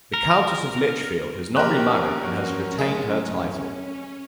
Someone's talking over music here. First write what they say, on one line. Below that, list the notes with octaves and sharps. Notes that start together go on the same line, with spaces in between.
The Countess of Lichfield has not remarried and has retained her title.
A#4
A#1 C#4 G4 A#4 F#6
F3 F#4
F#3 G#3 A3